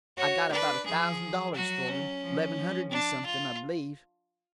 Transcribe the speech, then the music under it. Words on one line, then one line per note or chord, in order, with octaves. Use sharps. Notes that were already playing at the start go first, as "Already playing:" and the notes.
"I got about a thousand dollars for them--eleven hundred and something, I believe."
F#4 C#5
D4 B4
F3 G#4
F#3 F#4
C#4
F3
F3
D4
F4